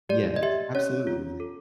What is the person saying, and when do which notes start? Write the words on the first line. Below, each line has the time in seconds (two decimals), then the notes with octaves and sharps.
Yes. Absolutely.
0.09 G4 D5
0.36 D#5
0.42 G4 E5
0.75 C#4 C#5
1.07 F4
1.40 A4